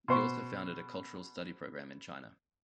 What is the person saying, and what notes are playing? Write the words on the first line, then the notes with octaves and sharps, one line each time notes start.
He also founded a cultural study program in China.
B2 C5 C#6